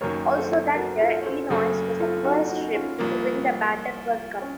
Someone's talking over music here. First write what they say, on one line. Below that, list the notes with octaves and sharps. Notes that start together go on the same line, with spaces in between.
Also that year, "Illinois" was the first ship to win the Battenberg Cup.
F#1 F#2 D#3 A#4 C#5
A4 C5
F#4 A#4
F4 A4
C#5
A4 C5
F#1 F#2 C#3 A3 A4 C5
F4 A4
D#4 F#4
D#4 F#4
C#4 F4
C2 A#2 F3 A#3
C#4